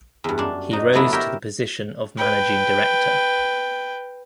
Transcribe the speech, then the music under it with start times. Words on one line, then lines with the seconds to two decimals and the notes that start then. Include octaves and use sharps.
He rose to the position of Managing Director.
0.24 E2 G2
0.38 F#2 D4
0.71 D#4 F#4
0.93 D3 F#3 A3 B3 E4
1.12 G4 A#4 C#5 E5 G5
2.17 B4 G5